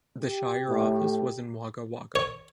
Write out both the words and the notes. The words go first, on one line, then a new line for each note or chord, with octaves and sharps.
The shire office was in Wagga Wagga.
G4
A2
C#5